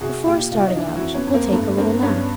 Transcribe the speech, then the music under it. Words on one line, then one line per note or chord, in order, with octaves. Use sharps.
Before starting out, we'll take a little nap.
C2 F#4 G#4
A#2 F4 G4
C2 F4
F#4
D#4 F4
E3 D4 E4
E4 F#4
F2
B3 C#4
F2
A#3 C4
G2 A3 B3
G2 A#3 C4
G2 B3 C#4
D4